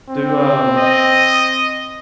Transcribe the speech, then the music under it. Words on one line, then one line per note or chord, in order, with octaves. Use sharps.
Do, um
C4
D#5